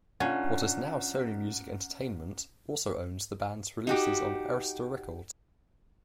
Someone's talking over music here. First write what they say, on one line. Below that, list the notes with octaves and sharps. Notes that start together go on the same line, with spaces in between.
What is now Sony Music Entertainment also owns the band's releases on Arista Records.
C2 C#4 D4 F4 F#5
D#4 F#4 G4